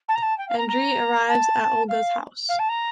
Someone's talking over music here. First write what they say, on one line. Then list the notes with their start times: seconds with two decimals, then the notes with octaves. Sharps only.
Andreï arrives at Olga's house.
0.08 A5
0.15 A#5
0.22 A5
0.38 G5
0.49 F5
0.57 A#5
0.68 A#5
1.28 A5
1.88 F5
2.48 F5
2.59 A5
2.69 A#5